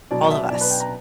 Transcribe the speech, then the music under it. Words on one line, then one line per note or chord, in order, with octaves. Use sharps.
all of us?
B2 F#3 D5
E5
B2 F#3 D5
B4
G5
A#5